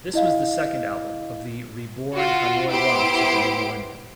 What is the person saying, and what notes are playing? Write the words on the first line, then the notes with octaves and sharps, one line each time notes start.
This was the second album, of the "reborn" Hanoi Rocks of the new millennium.
E4 D#5 F5
F4 F#4
B3 E4 G4 C5 C6 D7